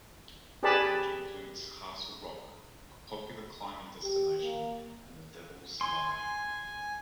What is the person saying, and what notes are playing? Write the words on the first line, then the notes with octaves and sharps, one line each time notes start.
The range includes Castle Rock, a popular climbing destination, and the Devils Slide.
G4 G#4 B4 D5 A5 B5
G4
A#3
G#5 C6